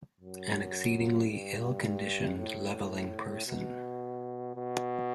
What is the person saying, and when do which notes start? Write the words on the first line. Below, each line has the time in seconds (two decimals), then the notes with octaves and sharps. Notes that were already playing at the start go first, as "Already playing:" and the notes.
An exceedingly ill-conditioned, levelling person.
0.21 F#2
1.30 G2
2.38 A2
3.47 B2
4.56 B2